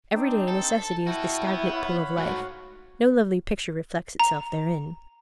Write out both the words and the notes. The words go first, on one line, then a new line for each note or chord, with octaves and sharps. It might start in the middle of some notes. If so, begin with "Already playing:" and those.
Everyday necessity is the stagnant pool of life--no lovely picture reflects itself therein.
C4 D4 D#4 C5
A4 A5
E4 F#4 B4 G5 C#6 F6
B3
C#5 F5 F#5 B5
G#2 A3 F#4
A#5